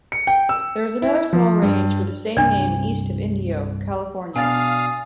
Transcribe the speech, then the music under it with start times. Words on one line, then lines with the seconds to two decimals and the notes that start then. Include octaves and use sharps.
There is another small range with the same name east of Indio, California.
0.12 C#7
0.27 G5
0.49 E6
1.02 E4
1.33 F3
1.62 G2
2.37 C2 G2 C3 D4 D5
4.36 B2 D4 F5 G#5 D#6 A6